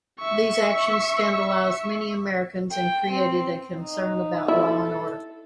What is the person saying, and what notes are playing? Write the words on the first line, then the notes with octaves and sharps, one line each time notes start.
These actions scandalized many Americans and created a concern about law and order.
E5 C#6
G5
C4
D#4
E4 A4